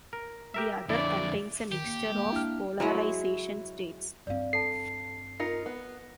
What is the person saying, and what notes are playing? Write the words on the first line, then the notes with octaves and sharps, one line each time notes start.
The other contains a mixture of polarization states.
A#4
G4 A#4 E5
F2 D3 A3 E4 D5
D#3 G4
A#3
G#3 A#3
D4 E4 F6
F#3 G#3 E4
G2 C4 D5 F5
A4 A5 C7
D#4 F4 A#4 A#6 C#7
B3